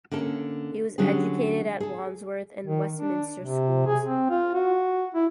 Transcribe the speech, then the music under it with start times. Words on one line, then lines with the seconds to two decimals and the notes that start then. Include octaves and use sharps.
He was educated at Wandsworth and Westminster Schools.
0.11 D3 A#3 C#4 A4
0.98 D3 F#3 G3 C#4 G#4
1.80 G#4 A4
2.67 D#3
2.97 D4
3.40 C3
3.87 G#4
4.05 C4
4.30 F4
4.54 F#4
5.14 E4